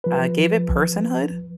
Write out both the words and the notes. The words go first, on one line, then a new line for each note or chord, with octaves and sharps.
uh, gave it personhood,
F3 B4